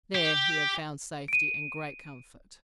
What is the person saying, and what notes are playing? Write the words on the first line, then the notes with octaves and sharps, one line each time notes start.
There he had found safety and great comfort.
G4
D7 D#7